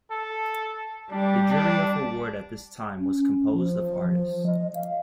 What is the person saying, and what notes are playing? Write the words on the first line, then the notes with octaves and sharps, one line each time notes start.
The jury of award at this time was composed of artists.
A4
G3 D4
D4
C#4
F3
F3
D#5
F5